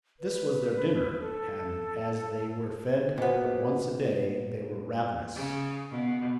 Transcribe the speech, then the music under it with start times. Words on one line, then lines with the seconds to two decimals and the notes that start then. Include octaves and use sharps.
This was their dinner, and as they were fed but once a day they were ravenous.
0.20 B4
1.20 A4
3.18 A#2 B3 F#4 C5 D#5
5.35 C#3
5.91 B2